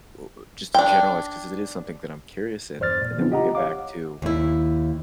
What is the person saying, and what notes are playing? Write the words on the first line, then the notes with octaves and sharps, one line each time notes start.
uh uh uh, just to generalize 'cause it is something that I'm curious in, and then we'll get back to
D4 G5
E2 G2 C5 D5 F6 A6
A#2
C#3 F3 B3 C4 D4 E4
F4 G4 D#5 F#5 A#5
C#5 F5 F#5 D6
D#2 E4